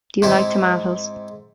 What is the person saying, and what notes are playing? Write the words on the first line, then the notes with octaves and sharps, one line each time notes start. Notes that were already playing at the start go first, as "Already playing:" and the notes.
Do you like tomatoes?
G#2 C4 E4